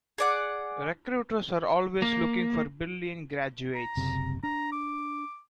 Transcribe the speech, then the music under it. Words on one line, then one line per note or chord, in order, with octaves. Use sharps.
Recruiters are always looking for brilliant graduates.
G#4 D5 F#5
A#3
A#5
F#1 C3
D4 A#5
D6